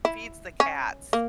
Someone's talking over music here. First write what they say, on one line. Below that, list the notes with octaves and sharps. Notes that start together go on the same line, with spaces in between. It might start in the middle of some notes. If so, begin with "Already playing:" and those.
feeds the cats
E4
C#4
A#3